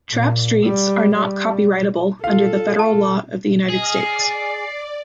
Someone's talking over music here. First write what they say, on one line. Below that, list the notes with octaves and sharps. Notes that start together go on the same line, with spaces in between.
Trap streets are not copyrightable under the federal law of the United States.
A#2
G3
G3
F4 A4 F5
A5
G#4 D#5 D#6 F6
D5 C7